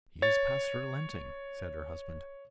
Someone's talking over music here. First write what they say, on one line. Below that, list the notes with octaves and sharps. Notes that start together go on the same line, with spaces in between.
"He is past relenting," said her husband.
C#5 A6